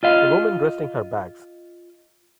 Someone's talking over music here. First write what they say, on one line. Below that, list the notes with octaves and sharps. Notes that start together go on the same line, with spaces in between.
A woman resting her bags.
F4 D#5 F5